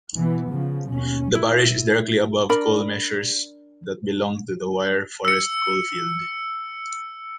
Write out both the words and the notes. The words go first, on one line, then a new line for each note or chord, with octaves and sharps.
The parish is directly above coal measures that belong to the Wyre Forest Coalfield.
B2 E3 B3
C#3 F3
D#2 B2 C#4
E4
D4 A#4 D5 B5
E6 C#7